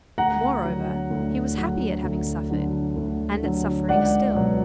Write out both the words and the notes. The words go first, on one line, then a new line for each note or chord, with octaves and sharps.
Moreover, he was happy at having suffered, and at suffering still.
D2 F#5 A#5
D3 F#3
D2
D3 F#3
D2
D3 F#3
D2
D3 F#3
C#2 D5 F#5
B2 F#3